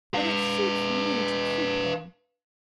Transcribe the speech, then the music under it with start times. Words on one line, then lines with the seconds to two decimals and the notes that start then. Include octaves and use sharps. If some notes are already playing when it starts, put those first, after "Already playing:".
But it suits me to keep him.
0.14 B4 F5